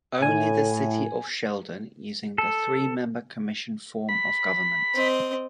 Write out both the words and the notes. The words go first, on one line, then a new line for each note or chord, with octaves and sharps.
Only the city of Shelton using the three-member commission form of government.
A2 G#5
A4
B5
C4 D#5